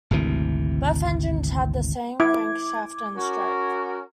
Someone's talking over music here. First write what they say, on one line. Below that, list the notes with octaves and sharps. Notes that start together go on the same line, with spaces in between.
Both engines had the same crankshaft and stroke.
G#1 D2 C3 E3
E4 D6 G#6
C#4 F#4 A#4